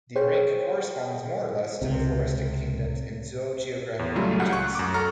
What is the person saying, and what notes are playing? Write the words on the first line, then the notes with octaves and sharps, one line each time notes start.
The rank corresponds more or less to the floristic kingdoms and zoogeographic regions.
G#4 C5 C#5 G5
C#2 C3
E2
C#3 F#3 G3 A3 F4
C#2 F#5
C#6 F#6
F#2 D6
A4 A#5 C#6 F6